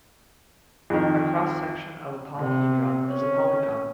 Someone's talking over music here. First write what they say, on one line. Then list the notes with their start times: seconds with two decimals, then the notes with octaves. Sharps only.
A cross section of a polyhedron is a polygon.
0.90 F2 D#3
2.36 C3
3.09 C#4